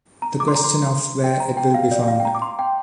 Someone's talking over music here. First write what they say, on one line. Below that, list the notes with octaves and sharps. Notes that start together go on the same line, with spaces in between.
The question of where it will be found.
A#5
D6
C6
A#5
C6
G5
A#5
G5
F5
D5
F5
G5
A#5
D6
C6
G5